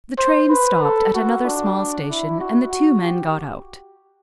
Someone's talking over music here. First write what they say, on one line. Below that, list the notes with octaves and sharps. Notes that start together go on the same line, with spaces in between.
The train stopped at another small station, and the two men got out.
C5
B4
A4
F#4
D4
E4
F#4
F#4
G4